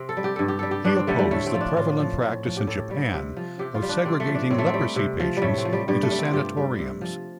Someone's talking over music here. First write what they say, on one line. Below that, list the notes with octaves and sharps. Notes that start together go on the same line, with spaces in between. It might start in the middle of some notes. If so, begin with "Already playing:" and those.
He opposed the prevalent practice in Japan of segregating leprosy patients into sanatoriums.
Already playing: C3 C4
A4
G3
G4
G2 A4
G4
G3 A4
G4
G2 D4
C4
D3 G3 A3
G3
A2 A3
C4
F3 F4
D4
A2 F4
F3
A2
F3
G4
A2 A4
G3
C3
F3
C3 G4
F4
G3
D4
C3 C4
A3
F3
D4
A2 C4
A3
C4
G3
C3
F3
G3
A2 A3
C4
F3
G3
G2 G3
A3
G3
C4
F4
G2 G4
G3
C3
F3